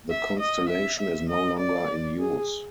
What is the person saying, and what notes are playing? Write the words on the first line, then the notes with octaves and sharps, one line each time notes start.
The constellation is no longer in use.
E5
D#5
E5
E5
D#5
D5
G#4